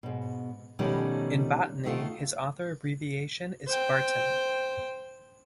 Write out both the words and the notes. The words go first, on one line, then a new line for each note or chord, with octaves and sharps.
In botany, his author abbreviation is Barton.
G#2 B2
B2 D#3 F3 G3 A3 C#4
B2 D#3 A3 F4
C5 G5